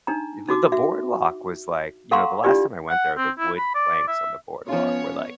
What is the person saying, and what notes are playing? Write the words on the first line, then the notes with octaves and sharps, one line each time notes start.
The the boardwalk was, like you know, the last time I went there, the wood planks on the boardwalk were, like,
D4 D#4 A#5
D#4 F#4 D6
F#4 E5
A4 F5 F#5 A#5 C6 C#6
D4 E4 F4 G4 D5
F#5
C4
E4
B5
D5
E5
F3 B3 C#4 F4 C#5